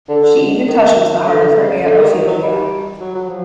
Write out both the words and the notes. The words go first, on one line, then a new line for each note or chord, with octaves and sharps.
She even touches the heart of her Aunt Ophelia.
D3
D3
D#3
D3
D3
C#3
D3
D#3
F#3
G3
F#3
F#3
F3